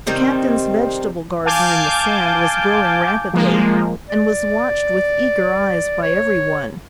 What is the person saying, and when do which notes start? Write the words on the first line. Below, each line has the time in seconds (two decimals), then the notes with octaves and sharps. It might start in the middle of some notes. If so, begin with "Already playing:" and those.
The captain's vegetable garden in the sand was growing rapidly, and was watched with eager eyes by everyone.
0.07 C3 D#3 G3 C4
1.45 F5 G#5 A5 D6 G6
3.33 F3 G#3 A#3
4.09 D5
6.02 C#5